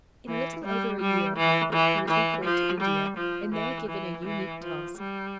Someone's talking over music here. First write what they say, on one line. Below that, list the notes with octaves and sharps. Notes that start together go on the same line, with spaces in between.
In a little over a year, however, he was recalled to India, and there given a unique task.
E3
G3
G3
E3
E3
E3
F3
G3
F3
E3
E3
E3
F3
G3